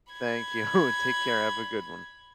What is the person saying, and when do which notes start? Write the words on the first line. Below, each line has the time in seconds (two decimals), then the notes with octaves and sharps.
Thank you. And, take care. Have a good one.
0.12 B5 G#6